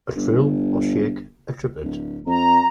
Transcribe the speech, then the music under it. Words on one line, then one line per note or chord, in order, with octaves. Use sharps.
A trill, or shake a triplet.
G1
D1
F2 A#5